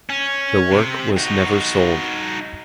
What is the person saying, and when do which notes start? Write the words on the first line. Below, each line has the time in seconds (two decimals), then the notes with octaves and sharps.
The work was never sold.
0.10 C#4
0.71 C3
1.17 D#4 F#4